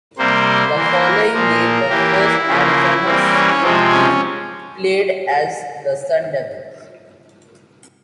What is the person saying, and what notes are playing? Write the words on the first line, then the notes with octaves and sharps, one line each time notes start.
The following day, the first Arizona State team played as the Sun Devils.
C3 G3 A#3 C5
E3 A#3
A#4
A#2 F3 A#3
E3 A#3 G4
E4
C#3 F3 A#3
E3 G3 A#3 C4
C#4
C3 F3 G#3 C4
C#4